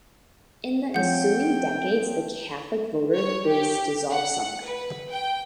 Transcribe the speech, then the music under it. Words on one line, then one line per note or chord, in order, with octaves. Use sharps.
In the ensuing decades, the Catholic voter base dissolved somewhat.
F3 C4 C#5 F#5 G5 G6
C#5
G4
F#5
B4
G5